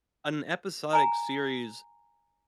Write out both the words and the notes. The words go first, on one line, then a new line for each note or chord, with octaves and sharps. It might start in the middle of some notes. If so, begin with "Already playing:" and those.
an episodic series
G#5 A#5